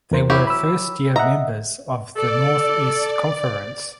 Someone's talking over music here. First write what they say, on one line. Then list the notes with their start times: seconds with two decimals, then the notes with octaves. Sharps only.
They were first year members of the Northeast Conference.
0.11 E2 A#4 C5
0.30 F#3 E4 G4
0.47 B5 E6
1.16 D#5 E5 F#5 A#5
2.15 A4 D5